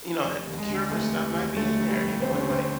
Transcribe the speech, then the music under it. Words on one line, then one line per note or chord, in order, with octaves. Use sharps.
you know, that the cure for stuff might be in there, you know? It might
F1
D#2
G#3
D3
F1 A3
F1
D#2
D3 A3
F1
G3
F1
D#2 C4
C#4
D3
C4